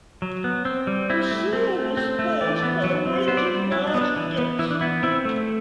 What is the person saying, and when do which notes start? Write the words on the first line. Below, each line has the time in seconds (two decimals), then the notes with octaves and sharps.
The sale was forced by Rangers' large debts.
0.22 F#3
0.44 B3
0.65 C4
0.87 G3
1.10 C4 E4
1.31 A3
1.53 C4
1.75 A3
1.97 C4
2.19 A3
2.41 E3 D5
2.63 B3
2.84 F#3
3.06 C4
3.28 B3 C5
3.37 D5
3.47 C5
3.50 G3
3.72 F#3 E4
3.87 D4
3.94 B3
4.01 D4
4.16 E3
4.38 B3
4.59 E3 E4
4.71 D4
4.81 B3 E4
5.03 C4 E4
5.25 A3